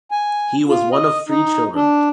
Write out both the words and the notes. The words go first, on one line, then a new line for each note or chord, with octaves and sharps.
He was one of three children.
G#5
F4
D#5
D#4
D4